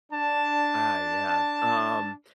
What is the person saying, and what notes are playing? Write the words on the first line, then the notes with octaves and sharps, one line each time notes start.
I yeah, um,
D4 A5